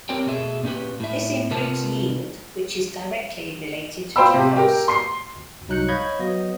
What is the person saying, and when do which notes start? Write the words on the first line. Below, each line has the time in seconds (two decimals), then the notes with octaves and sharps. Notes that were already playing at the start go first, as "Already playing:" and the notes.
This improves yield, which is directly related to cost.
0.09 C4 G4 A#4 C#5 G5
0.26 B2 A3 G#4 E5
0.63 A#2 C#4 G4 B4
1.00 A2 E5
1.51 C3 F4 A#4 B4 A5
4.16 F4 C5 G5 B5 E6
4.34 C3 G4
4.56 G4 A#4
4.88 C6 C7
5.68 C2 F#3 D#4 F#6 G6 C#7
5.89 C#5 D#5 F5 B5 G6 G#6
6.19 F#3 B3 D#5